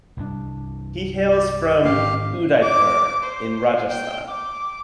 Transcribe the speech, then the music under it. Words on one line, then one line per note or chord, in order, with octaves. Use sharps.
He hails from Udaipur in Rajasthan.
C2 G2 D4
D5
G#2 D#3 A#3 G4 F5
D6
C5
G5
D6